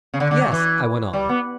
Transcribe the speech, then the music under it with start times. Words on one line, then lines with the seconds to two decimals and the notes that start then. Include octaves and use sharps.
"Yes," I went on.
0.14 C#3
0.20 D3
0.31 D3
0.41 F#3
0.52 E3
1.13 G3
1.29 B3